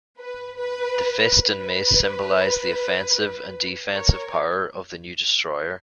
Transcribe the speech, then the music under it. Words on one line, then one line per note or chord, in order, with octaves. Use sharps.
The fist and mace symbolize the offensive and defensive power of the new destroyer.
B4
B4
B4
A#4 C#5